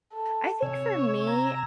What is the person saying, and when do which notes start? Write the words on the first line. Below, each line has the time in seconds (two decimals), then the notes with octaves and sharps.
I think for me,
0.13 A4
0.62 C3 C#5 G#5 E6
1.30 A#5